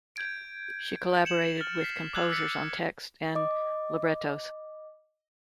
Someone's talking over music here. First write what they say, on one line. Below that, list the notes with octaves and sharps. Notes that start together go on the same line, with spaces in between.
She collaborated with composers on texts and librettos.
G6 G#6 D7
C#7 E7 F#7
F6 A6
B6 C7
D6 E6 F#6 G#6 F#7
D6 E6 F#6 A6 B6 C#7
D#5 D6